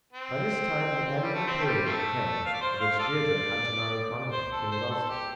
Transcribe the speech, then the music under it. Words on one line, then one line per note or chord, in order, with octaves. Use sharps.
By this time the end of the period came at which Deirdre had to marry Connachar, king of Ulster.
C4
G3
A3
C4
A3
G3
C3 F3 A3
F5
D5
C5
F5
F4 A4 D5
C5
A4
C5
A4
G4